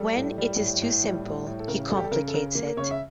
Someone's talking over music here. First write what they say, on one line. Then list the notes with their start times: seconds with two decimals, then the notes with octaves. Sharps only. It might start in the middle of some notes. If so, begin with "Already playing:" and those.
When it is too simple, he complicates it.
Already playing: G3 A4
0.16 A2
0.38 G3
0.59 A2
0.82 A2
1.03 G3
1.25 A2
1.46 A2
1.60 A4
1.68 C#3 A#4
1.89 G3 A4
1.97 G4
2.04 A4
2.11 C#3 A#4
2.28 A4
2.34 C#3 A#4
2.55 A#3
2.67 A#4
2.77 C#3 C#5
2.91 E5